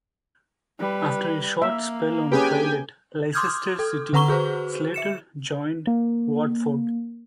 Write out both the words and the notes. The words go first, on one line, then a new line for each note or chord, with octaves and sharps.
After a short spell on trial at Leicester City, Slater joined Watford.
G3 B4
A#3 E5
C#4 G4 G#4 B4 G5 G#5
C6 D6 D#6 F6 G6 G#6
A4
D3 B4 F#5 A#5 C#6 G7
F#4 G#4 B4 C5
E5 C#7 E7
A#3